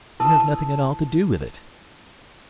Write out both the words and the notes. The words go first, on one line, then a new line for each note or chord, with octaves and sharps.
"You have nothing at all to do with it."
E4 B4 A5 D#6 E6